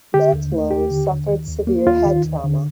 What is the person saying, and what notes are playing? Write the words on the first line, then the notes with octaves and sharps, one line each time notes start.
Mantlo suffered severe head trauma.
D3 G4
D#2
A3
D#2 G4
D3
D#2
D#3
D#2
A#3
D#2 F4
D#3
D#2
D3